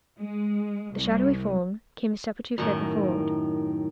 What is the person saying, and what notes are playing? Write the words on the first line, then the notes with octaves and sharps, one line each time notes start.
The shadowy form came a step or two further forward.
G#3
C2
F#2 A2 D#3